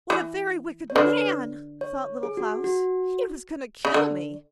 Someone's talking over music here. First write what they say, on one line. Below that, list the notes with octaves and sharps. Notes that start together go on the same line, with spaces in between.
'What a very wicked man!' thought Little Klaus. 'He was going to kill me!
E3
C#5
D3 B4
C#5
G#4
F#4
F#4
C#3
D3